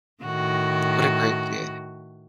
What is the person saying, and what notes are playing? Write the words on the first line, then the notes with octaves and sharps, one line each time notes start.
What a great kid.
A2 D#3 F#4